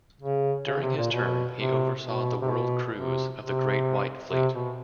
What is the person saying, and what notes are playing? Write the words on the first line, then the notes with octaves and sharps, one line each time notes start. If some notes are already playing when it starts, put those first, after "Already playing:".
During his term, he oversaw the world cruise of the Great White Fleet.
C#3
C#3
C3
A#2
B2
C3
B2
C3
B2
C3
C3
C3
B2